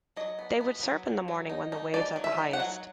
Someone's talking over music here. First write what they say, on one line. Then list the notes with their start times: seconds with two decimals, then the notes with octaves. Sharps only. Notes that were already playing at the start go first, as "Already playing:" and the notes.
They would surf in the mornings, when the waves were the highest.
0.16 F#3 D#5
0.39 B3
0.61 B3
0.83 F#3
1.06 F#3
1.28 F#3
1.49 D#4
1.72 D#4
1.94 D#4 D5
2.16 F#3
2.24 E5
2.38 D#4
2.53 F#5
2.60 F#3